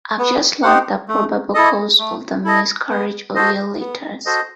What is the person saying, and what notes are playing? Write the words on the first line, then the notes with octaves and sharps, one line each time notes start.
I have just learnt the probable cause of the miscarriage of your letters.
B3
D#4 G4 C5 F#5
A3
E4 A4 D#5
A3
E4 A4 D#5
B3
F#4 A4 C5 D#5
B3
F#4 A4 C5 D#5